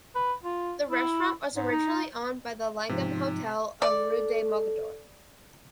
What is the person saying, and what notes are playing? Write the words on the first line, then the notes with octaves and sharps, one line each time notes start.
The restaurant was originally owned by the Langham Hotel of rue de Mogador.
B4
F4
E4
G#2
D#4
G#2 C3 F3 D#4
A4 D5